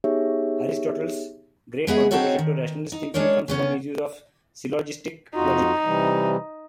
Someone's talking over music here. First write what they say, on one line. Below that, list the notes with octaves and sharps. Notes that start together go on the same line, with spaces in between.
Aristotle's great contribution to rationalist thinking comes from his use of syllogistic logic.
B3 D#4 G4 G#4 C#5 E5
G#3 B3 G#4 E5
C4 C#4 D#4 F#4 A4 C#5
D#3
D#4
G#3 C#4 D4 A#4 C#5
C#3 B3 C#4
F2 D#4 F4 F#4
C3 E3 G3